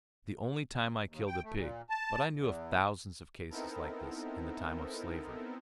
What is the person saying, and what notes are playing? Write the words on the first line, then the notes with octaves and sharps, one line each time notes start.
That was the only time I killed a pig, but I knew of thousands of cases like this in the time of slavery.
D#2
G5
A3
A#2
A5
E2
B3 C4 D#4 E4 A4 A#4